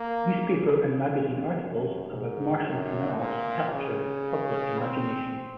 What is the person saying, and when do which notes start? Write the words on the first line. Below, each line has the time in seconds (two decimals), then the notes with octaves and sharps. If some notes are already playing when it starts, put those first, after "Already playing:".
Newspaper and magazine articles about Martian canals captured the public imagination.
Already playing: A#3
0.48 C#3
1.02 F2
1.55 F#2
2.09 G#2
2.63 F#2
3.17 A#2
3.71 C#3
4.79 C4